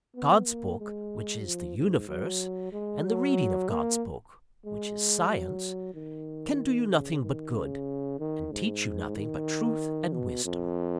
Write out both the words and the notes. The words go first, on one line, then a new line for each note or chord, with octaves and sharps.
God's Book, which is the Universe, and the reading of God's Book, which is Science, can do you nothing but good, and teach you nothing but truth and wisdom.
B3
A#3
G#3
F3
G#2
F#3
G#3
F#3
A#3
G#3
F#3
D#3
C#3
D#3
C#3
D#3
G#2
D#3
B2
F2